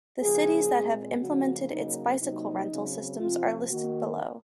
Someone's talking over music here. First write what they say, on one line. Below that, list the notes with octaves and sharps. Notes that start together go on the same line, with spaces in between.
The cities that have implemented its bicycle rental systems are listed below.
C#3 F3 A#3 G#4
A#2 G#3 C4
C#3 F3 A#3 F#4
C#3 F#3 A#3 D#4
C3 F#3 A#3 D#4
C#3 F#3 C4
C3 F3 C4 F4
D#3 A#3 F#4